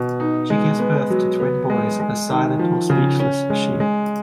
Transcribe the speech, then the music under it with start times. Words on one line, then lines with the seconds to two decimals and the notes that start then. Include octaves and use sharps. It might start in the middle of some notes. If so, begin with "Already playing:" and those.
She gives birth to twin boys as silent or speechless as she.
Already playing: B2
0.20 D#4
0.50 G#3
0.79 B3
1.10 F#3
1.40 B3
1.70 G#3
2.00 G#3
2.29 D#3
2.59 F3
2.90 C#3
3.20 C#4
3.50 G#3
3.80 G#3